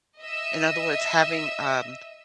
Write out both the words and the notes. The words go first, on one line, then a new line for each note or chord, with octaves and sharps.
In other words, having, um,
D#5 E5 E6